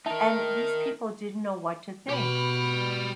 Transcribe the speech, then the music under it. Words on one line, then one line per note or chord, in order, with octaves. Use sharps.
and these people didn't know what to think.
D#4 A#4 E5 A5
B2 B3 G4 B5 F6